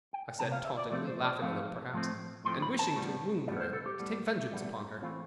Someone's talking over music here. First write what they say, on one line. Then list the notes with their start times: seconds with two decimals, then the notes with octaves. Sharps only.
I said tauntingly, laughing a little perhaps, and wishing to wound her, to take vengeance upon her.
0.13 G5
0.39 C3 E3 B3 A5
0.52 F5
0.65 E5
0.77 D5
0.90 A2 F3 A3 C4 D5
1.07 C5
1.24 D5
1.42 A2 F3 A3 C4 F5
1.93 A2 F3 A3 C4
2.45 A2 F3 A3 C4 C6
2.62 B5
2.79 A5
2.96 A2 G3 B3
3.48 A2 G3 B3 D5
3.61 C5
3.73 A4
3.86 G4
3.99 A2 G3 B3
4.51 A2 G3 B3
5.02 E3 A3 C4 F4